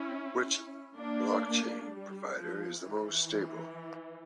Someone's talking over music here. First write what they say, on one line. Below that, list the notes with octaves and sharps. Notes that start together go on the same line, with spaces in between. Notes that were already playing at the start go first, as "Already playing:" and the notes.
Which blockchain provider is the most stable?
Already playing: C#4 E4
A#3 D4
G3
F3
E3